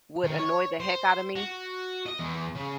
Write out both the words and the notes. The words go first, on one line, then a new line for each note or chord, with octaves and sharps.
would annoy the heck out of me.
D#3
C#5
C5
F#4
D#5
E2
C#3